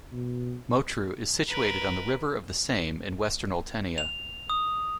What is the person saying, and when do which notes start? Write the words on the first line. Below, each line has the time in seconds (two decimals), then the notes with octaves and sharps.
Motru is situated on the river of the same in western Oltenia.
0.12 B2
1.48 A#4 B4
3.98 F7
4.50 D#6